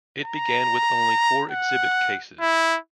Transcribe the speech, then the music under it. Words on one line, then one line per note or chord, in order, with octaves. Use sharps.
It began with only four exhibit cases.
A#5
F#5
E4